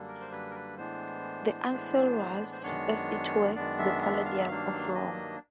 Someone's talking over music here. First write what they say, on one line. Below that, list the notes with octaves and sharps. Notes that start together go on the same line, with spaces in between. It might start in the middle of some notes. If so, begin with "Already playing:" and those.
The Ancile was, as it were, the palladium of Rome.
Already playing: F#2 D3 G3 A#3 D4
A#4
C5
B4
A#4
B4
A2 E3 G#3 B3 D4 C5
A2 E3 G#3 B3 D4
C5
F#2 D#3 G#3 B3 D4 C#5
F#2 D#3 G#3 B3 D4 D5
E5
E5
F5
E5
G2 D#3 F#3 A#3 D4 F5
D#5